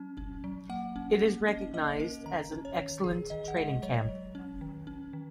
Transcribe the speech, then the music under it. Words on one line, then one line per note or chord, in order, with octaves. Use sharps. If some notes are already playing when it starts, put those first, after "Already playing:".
It is recognized as an excellent training camp.
Already playing: F#3 C#4
C#4
F#3
A#3 F#5
C#4
A#3
C#4 D#5
A#3 D#5
C#4 A#4
D#3 A#5
C#4
C#5
D#3
D#3 G#4
D#3 D#5
F#5
G#3 D#5
F#3 C#5
F#3
C#4
D#3
C#4
D#3